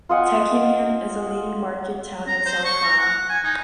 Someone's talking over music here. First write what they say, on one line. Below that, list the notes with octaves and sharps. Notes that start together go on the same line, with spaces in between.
Techiman is a leading market town in South Ghana.
F4 D#5 F#5 G#5
A#5
C5
C#6
A#5
F#5
G#5
D#4